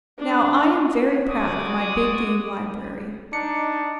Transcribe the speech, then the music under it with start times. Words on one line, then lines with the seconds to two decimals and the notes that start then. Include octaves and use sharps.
Now, I am very proud of my big-game library.
0.19 D4
1.28 G#3 F#4 D5 D6 D#6
3.33 D4 D#4 C#7